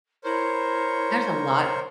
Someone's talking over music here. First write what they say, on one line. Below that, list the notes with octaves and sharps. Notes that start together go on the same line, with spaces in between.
There's a lot
E4 A#4 C5 C#5